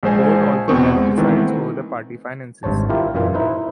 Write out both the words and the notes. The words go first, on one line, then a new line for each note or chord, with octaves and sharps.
The board also has decides over the party finances.
A#1 G#3 C5 G#5
E2 B2 B3 C4 C#6
G#3
D#3 E3 G#3 A3 B3 C4
G#1 G2 C5 C#5 A5
E4 F4 G4 A#4
F#2 A#2 E3 A#3 F4
D#4 E4 B4 C5